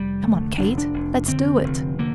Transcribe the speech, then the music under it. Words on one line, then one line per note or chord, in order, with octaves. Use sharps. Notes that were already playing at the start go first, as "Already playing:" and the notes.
Come on, Kate, let's do it!
Already playing: F1 G3
D3 A3
F1 D4
D4
F1
D3 C4
F1
D3 A#3